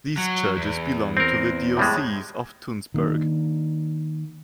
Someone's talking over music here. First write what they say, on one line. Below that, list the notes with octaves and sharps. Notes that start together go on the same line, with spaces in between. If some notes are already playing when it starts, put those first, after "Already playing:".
These churches belong to the Diocese of Tunsberg.
F#3
E2
C4 A#4
A2 G3 G#3
D#3 A#3 D4